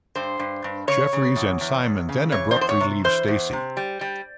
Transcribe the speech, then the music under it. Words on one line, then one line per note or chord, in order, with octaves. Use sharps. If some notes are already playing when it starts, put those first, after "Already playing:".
Jeffries and Simon then abruptly leave Stacey.
G2 C5
G2
G2
C#3 C#5
C#3
E2
E2
E2
C#3
E3 C#5
C5
E2
C5
C#5
C3
E3 C5
E2
C3
G3
G3